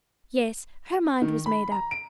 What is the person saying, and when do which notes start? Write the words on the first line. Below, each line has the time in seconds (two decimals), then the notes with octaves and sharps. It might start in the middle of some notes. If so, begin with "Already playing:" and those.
Yes; her mind was made up.
1.22 D#3
1.46 B5
1.72 A#5
1.91 D7